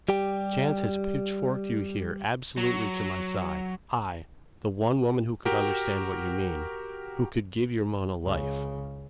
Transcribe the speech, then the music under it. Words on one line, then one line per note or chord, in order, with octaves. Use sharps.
Chance has pitchforked you here, absolutely to my side, I, the one woman who could understand what you mean, who could give your Mona life.
G3 G4 G5
F#3
F#4 G4 A#4 G5
C#2 C#3